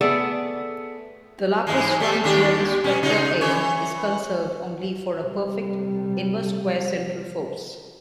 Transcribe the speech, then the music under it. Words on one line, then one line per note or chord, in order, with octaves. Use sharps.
The Laplace-Runge-Lenz vector A is conserved only for a perfect inverse-square central force.
A3 B3 G#4 A4 D5
G#2 E3 G#3
G3 B3
D#2 D4 G4
B2 C#4
C#3 D#4 F4
E3 C#5
C3 G3